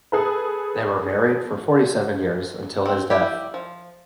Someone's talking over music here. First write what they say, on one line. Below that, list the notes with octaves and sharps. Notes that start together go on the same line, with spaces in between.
They were married for forty-seven years, until his death.
G#4 A4 B4
C4
G3 E4 G4
F3